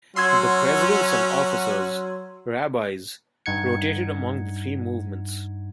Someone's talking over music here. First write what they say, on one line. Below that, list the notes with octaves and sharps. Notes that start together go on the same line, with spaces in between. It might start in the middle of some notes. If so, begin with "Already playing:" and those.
The presidents and officers, rabbis, rotated among the three movements.
F#3 C#4 F#4 C6 E6 G#6
G2 D#4 F#5 G#6 C#7